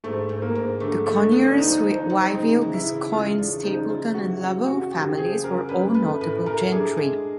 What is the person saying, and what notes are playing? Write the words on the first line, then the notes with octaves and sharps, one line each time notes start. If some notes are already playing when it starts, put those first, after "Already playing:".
The Conyers, Wyville, Gascoigne, Stapleton and Lovell families were all notable gentry.
G#2 A3
G#2
A#3
G#2
D3 A3
F#3 A3
F#3 B3
D4
F3 D#4
F3
D#4
C4
C#3 D#4
E3
E4
C#3
E2 F4
C#3 D4
F3 D#4
E4 F4
E3 F#4
C#4 F#4
C#3 F#4
C#3 G4
F3 G#4
F#2 A#4
F#2 B4
A3 B4
A2 B4
A3 A#4
D4 G#4
G#3